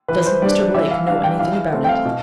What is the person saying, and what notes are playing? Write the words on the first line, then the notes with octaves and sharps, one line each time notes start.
"Doesn't Mr. Blake know anything about it?"
E3 B4
C5
G3 D4 D5
E3 E5
F5
G3 D4 F5
G5
E3 F5
A3 C4
G5
F5
B2